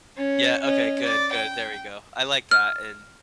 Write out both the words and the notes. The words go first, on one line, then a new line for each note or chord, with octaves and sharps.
Yeah, okay, good, good, there we go. I like that, and,
C#4
C#4 D#5
D5
G5
F6